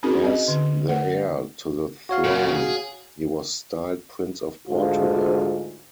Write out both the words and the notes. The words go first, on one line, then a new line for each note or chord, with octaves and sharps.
As the heir to the throne he was styled Prince of Portugal.
C4 C#4 D#4 F#4 G#4 A#4
C4 D#5
D3
A3 F#5
F#4 C#5 F5
A#2 C#3
G#4
D2 G#2 F4